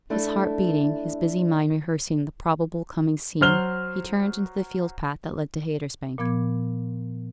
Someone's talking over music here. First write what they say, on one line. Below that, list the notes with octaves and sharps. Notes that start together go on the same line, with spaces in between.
His heart beating, his busy mind rehearsing the probable coming scene, he turned into the field-path that led to Haytersbank.
A3 D4 E4
F#3 C5 F6 G7
A#2 F3 B3 D6 G#6